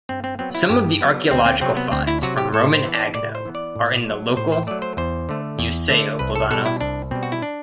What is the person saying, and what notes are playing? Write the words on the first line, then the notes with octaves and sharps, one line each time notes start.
Some of the archaeological finds from Roman Agno are in the local Museo plebano.
G2 C4
C4
F#3 B3 C4
E4
G2 G4
F#3 B3
D2 C4
C4
C3 F#3 C4
B3
D2 C4
E4
C3 F#3 F#4
G4
A2 A4
C5
E3 B3
D5
A2 D5
C5
E3 B3
D5
A2
F#3 A3
A2 C5
C5
F#3 A3 D5
C5
E2 C5
D3 A3
E2
D3 A3
C2 B4
A4
B2 G3 A4
E4
C2 D4
B2 G3 C4
F#4
E4
D4